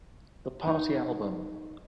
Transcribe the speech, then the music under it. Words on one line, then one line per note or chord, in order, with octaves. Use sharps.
The Party Album!
D#4